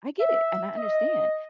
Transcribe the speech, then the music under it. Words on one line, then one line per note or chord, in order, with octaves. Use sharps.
I get it, and I understand.
E5
D#5